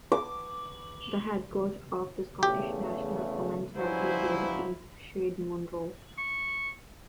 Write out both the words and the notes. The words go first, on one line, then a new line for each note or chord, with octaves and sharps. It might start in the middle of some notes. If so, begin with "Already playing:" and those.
The head coach of the Scottish national women's rugby team is Shade Munro.
D6
E2 C#3 A3 G4
G2 C#3 F3 F#3 E4 C5 G#5
C#6